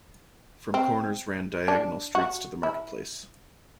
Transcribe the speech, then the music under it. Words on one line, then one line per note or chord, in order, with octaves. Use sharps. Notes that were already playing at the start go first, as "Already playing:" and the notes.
From corners ran diagonal streets to the marketplace.
C4
D4
F#4
E4